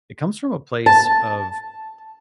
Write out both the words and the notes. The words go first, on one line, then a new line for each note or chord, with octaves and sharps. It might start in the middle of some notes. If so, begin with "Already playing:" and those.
it comes from a place of
A5